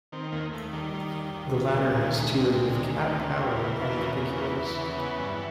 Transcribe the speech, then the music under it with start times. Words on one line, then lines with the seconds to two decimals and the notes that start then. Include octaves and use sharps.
The latter has toured with Cat Power and the Kills.
0.12 D#3 C4
0.32 D#2 A#3
0.53 D#2 A3
0.73 D#3 G3
0.94 D#3
1.14 D#2
1.34 D#2
1.54 D#3
1.74 D2 G3
1.94 D#3 G#3
2.15 D2 A3
2.35 C3 G#3
2.55 D2 G#3
2.76 D#3
2.95 D2 A3
3.16 C3
3.36 E2 A#3
3.56 E3
3.77 E2
3.97 C#3
4.17 E2
4.37 E3
4.57 E2
4.78 C#3
4.98 E3 B3
5.19 G2